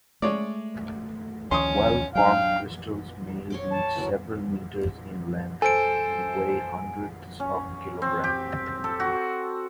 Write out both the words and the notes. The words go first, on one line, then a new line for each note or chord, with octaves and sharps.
Well-formed crystals may reach several meters in length and weigh hundreds of kilograms.
G#3 A3 C#5 D5
D2 D#3 F3 C#4 C6 C#6 D#6
F#3 D4 F5 G5
C#5 C6 D6
A5
E3 F#3 A#4
A4 C5 G#5 D7
C#4
C4
G4
A4
F#4